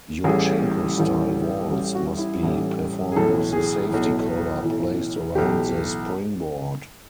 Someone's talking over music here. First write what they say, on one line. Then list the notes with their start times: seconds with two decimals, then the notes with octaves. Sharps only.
Yurchenko-style vaults must be performed with a safety collar placed around the springboard.
0.24 A1 A2 E3 G3 G#4
0.97 A1 A2 E3 G3
1.70 A1 A2 E3 G3 F#4
1.95 F#4
2.18 E4
2.43 A1 A2 E3 G3
3.11 G#4
3.16 B1 A2 E3 A4
3.52 G#4
3.90 B1 A2 E3
4.62 B1 A2 E3
5.35 B1 A2 E3 G4